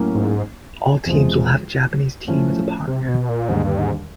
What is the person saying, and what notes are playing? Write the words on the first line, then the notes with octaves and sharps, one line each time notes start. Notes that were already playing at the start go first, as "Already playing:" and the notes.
All teams will have a Japanese team as a partner.
Already playing: A2 F#3 A#3 C#4
G#2
E2 C3 F3 G#3
A2 F3 A3 C#4 E4
C3
B2
A#2
D#2 G#2 D3 G3
G2
G#2